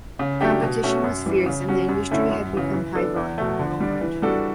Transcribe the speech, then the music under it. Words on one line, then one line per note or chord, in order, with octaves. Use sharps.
Competition was fierce and the industry had become high volume, low margin.
C#3
F#3 A3 D4 G4
B2
A3 C#4 F#4
F#2
E3 G3
C#3
F#3 C#4 F#4
F#2
D3 A3 C#4 E4
F#2
C#3 E3
E3
B3 D4 A4
E2
B2 A3
D3
G3 D4
E3
G3 D4 F#4 A4